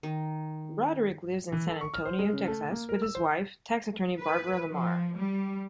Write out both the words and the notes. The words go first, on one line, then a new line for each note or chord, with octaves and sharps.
Broderick lives in San Antonio, Texas, with his wife, tax attorney Barbara Lamar.
D#3
E3
A4
C#6
F6
C5
G#3
C#3
A3
A#3
A#4
E6
C5
B4
F3
G3